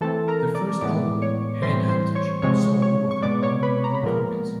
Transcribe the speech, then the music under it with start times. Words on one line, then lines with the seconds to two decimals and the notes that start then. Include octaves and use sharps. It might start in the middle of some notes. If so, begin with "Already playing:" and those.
Their first album, "Head Hunters", sold more than one million copies.
0.01 E3 A3 C4 A4 A5
0.28 A#4 A#5
0.55 D5 D6
0.81 A2 E3 G#3 B3 D5 D6
1.22 C#5 C#6
1.62 A2 E3 G3 C4 C5 C6
1.88 C5 C6
2.15 C#5 C#6
2.42 C3 F3 G#3 C4 C#5 C#6
2.82 C#5 C#6
3.11 C#6
3.22 B2 G#3 B3 D5 D6
3.43 C#5 C#6
3.63 B4 B5
3.84 A#5
3.94 B5
4.03 A#2 F3 G#3 B3 A#4 A#5